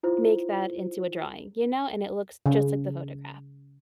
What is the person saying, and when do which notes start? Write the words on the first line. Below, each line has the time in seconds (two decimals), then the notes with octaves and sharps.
make that into a drawing, you know? And it looks just like the photograph.
0.03 E4 F4 C5
2.46 C#3